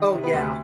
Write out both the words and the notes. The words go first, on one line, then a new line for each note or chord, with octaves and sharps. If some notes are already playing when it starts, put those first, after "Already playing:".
Oh yeah.
Already playing: D#3
C3
B3 B4
D2